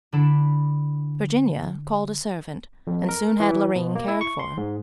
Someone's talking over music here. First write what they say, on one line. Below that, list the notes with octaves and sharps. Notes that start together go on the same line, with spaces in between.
Virginia called a servant and soon had Loreen cared for.
D3 D4 E4 B5 E7
F2
A#4
E3
B2
A#3
E4
C#6
C6
G#2